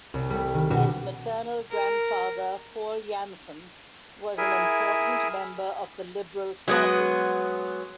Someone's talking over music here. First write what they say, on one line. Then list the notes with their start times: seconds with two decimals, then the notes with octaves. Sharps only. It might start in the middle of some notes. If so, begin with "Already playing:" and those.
His maternal grandfather, Paul Janson was an important member of the Liberal Party.
0.14 C2
0.30 G3 A3
0.54 D#3
0.70 B2 G3 D4 F#4 G4
1.71 A#4
4.38 E4 G#4 A#4 E5 G#5
6.68 F#3 G#3 B3